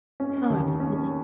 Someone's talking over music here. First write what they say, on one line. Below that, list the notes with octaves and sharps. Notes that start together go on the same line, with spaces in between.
Oh, absolutely.
C#4
D#2
C#4